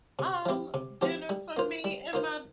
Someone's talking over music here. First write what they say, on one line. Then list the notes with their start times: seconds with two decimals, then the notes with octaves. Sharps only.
"Um, dinner for me and my
0.19 C3
0.46 F3 C4 G4
0.74 C3
1.01 F3 C4 G4
1.29 G3
1.57 A#3 F4 C5
1.84 G3
2.13 A#3 F4 C5